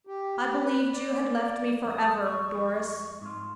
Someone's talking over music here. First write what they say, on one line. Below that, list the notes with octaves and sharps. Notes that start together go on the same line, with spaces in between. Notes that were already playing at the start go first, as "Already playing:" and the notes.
"I believed you had left me forever, Doris."
G4
G4
B4
D5
F2 G#3 D#6
C#6
G#2 F4